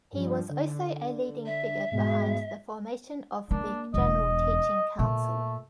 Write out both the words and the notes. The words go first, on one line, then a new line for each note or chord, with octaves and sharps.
He was also a leading figure behind the formation of the General Teaching Council.
G2 F3
D3
E5
G#2 B2 G#3
A#3 D4
E1 E2 D#5
A#2 A3